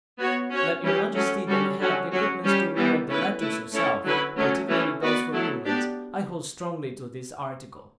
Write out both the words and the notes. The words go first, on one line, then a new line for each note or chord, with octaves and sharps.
"Let your majesty then have the goodness to read all the letters yourself, particularly those from England; I hold strongly to this article."
B3 F#4 C#5
C#4 F#4 C#5
E3 G3 C#4 G4
F#3 A3 C#4
G3 C#4 F#4 A4
D3 F#3 C#4 F#4
F#3 C#4 F#4
G3 C#4 G4
E3 G3 B3
A3 C#4 E4 B4
A3 E4 B4
A3 C#4 E4 A4 C#5
D3 F#3 C#4 E4 B4
F#3 A3 C#4
E3 A3 C#4
B3 F#4 B4 D5
F#3 A3 E4 A4
B3 D4 G4 D5